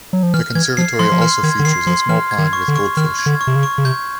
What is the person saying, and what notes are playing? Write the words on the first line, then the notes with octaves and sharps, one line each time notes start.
The conservatory also features a small pond with goldfish.
F#3
F3
E3 F6
E3 G#6
F3 C7
F3 C6
F3
E3 F6
D#3 G#6
D3
D#3 C7
F3 C6
E3 F6
G#6
D#3
C#6
D3
C#6
D#3 F6
G#6
D3
C#6
C3
C#3
C#6
C#3
C3 G6